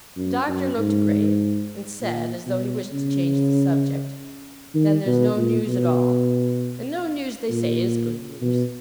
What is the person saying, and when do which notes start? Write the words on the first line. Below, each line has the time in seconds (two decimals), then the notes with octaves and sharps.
The Doctor looked grave, and said, as though he wished to change the subject, 'Then there's no news at all; and no news, they say, is good news.'
0.17 F#2
0.48 F#2
0.78 G#2
2.01 A#2
2.46 B2
2.92 C#3
4.75 D#3
5.06 B2
5.36 A#2
5.67 B2
7.49 A#2
8.42 B2